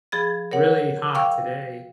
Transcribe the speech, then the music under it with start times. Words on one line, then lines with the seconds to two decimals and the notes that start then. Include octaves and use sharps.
really hot today
0.12 F3 G#4 B5 A6
0.51 A#4 C#5 F#5
1.15 F5 G5 C#6 D6 E6